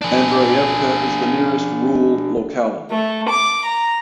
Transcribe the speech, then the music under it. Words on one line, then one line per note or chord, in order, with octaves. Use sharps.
Andreyevka is the nearest rural locality.
D4 G#4
A3
D6
A#5